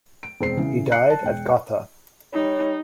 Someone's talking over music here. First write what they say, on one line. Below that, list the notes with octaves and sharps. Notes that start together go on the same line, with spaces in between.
He died at Gotha.
D7
E1 C4 C7
C#3 E3
F#6 C7 C#7
A5
E1 G5
G3 D#4 C#5